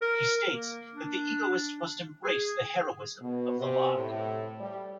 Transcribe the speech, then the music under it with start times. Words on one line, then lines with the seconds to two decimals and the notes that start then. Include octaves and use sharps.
He states that the egoist must embrace the "heroism of the lie".
0.02 A#4
0.50 A#3
0.95 D4
2.24 G#4
3.21 B2
3.59 C3
3.95 A2
4.59 G3